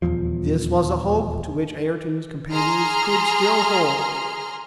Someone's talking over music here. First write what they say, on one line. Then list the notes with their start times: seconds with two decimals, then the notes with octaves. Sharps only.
This was a hope, to which Ayrton's companions could still hold.
0.02 D#1 A1 E2 F3
2.52 G#4 A#5 C6 F6